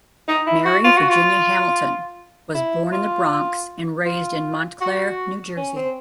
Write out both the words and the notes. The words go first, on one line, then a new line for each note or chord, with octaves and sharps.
Mary Virginia Hamilton was born in the Bronx and raised in Montclair, New Jersey.
D#4
E4
F#4
F4
F#4
F4
E4
F4
F4
F#4
C#4
C4